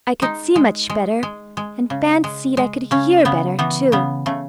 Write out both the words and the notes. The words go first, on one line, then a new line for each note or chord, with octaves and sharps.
I could see much better, and fancied I could hear better too.
G#3 D#4
G#3
G#3
G#3
G#3
C#3
G#3
G#3
C#3 C#4
C#3 B3
E3 B3
C#3 B3
C#3 A3